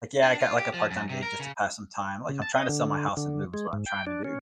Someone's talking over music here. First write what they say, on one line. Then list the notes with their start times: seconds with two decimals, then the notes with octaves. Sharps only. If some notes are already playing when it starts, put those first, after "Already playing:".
like, yeah, I got, like, a part-time gig just to pass some time, like, I'm trying to sell my house and move is what I'm trying to do,
0.23 D4
0.41 F4
0.58 G4
0.74 F3
0.91 F#2
1.09 C3
1.23 A#4
1.39 C#3
2.29 C#3
2.42 A5
2.56 D#5
2.69 D3
3.17 D3
3.54 G#3
3.73 G#2
3.86 G5
4.07 D4
4.24 C#4